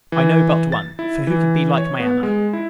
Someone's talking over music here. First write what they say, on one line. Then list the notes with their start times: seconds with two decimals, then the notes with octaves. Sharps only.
I know but one; for, who can be like my Emma?
0.12 E3
0.72 A6
0.99 E4
1.27 E3
1.78 C#5
2.00 B3
2.23 G#3
2.53 E4